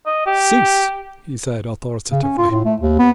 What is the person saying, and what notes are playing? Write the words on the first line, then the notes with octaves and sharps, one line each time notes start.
"Cease!" he said authoritatively.
D#5
G4
C#3
C#4
F4
A2
A3
D#2
B3